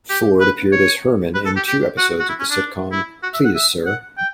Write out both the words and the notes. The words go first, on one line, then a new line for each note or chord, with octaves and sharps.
Forde appeared as Herman in two episodes of the sitcom "Please Sir!".
G4
B4
C#5
B4
A4
G4
G4
F#4
F#4
E4
C#4
D4
E4
F#4
E5
F#5
E5
F#5
G5